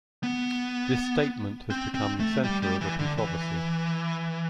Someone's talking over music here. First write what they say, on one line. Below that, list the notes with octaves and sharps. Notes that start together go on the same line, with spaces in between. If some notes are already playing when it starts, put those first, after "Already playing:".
This statement has become the center of a controversy.
B3
C4
C4
A3
G3
G3
E3
D3
E3